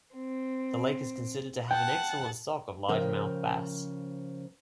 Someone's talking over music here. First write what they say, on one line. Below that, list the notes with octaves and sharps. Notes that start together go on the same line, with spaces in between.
The lake is considered to have an excellent stock of largemouth bass.
C4
F#5 G5 A5 F#6
C#3 F3 A#4 G5